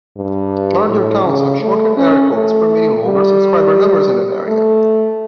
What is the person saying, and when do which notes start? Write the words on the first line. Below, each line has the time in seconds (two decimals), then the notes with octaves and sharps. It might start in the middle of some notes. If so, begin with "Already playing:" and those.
Larger towns have shorter area codes permitting longer subscriber numbers in that area.
0.17 G2
0.88 A2
1.24 C#3
1.61 A3
1.97 C#4
2.33 A3
3.04 G3
4.48 A3